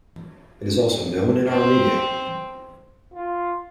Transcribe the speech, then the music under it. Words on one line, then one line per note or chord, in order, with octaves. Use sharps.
It is also known in Armenia.
C4
F4